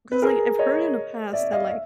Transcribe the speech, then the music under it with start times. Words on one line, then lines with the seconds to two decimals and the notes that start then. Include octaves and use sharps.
'cause, like, I've heard in the past that, like,
0.12 B4
0.22 G#4 A#4
0.59 C#5 D#5
1.33 D5 E5
1.51 D#5 F5
1.70 E5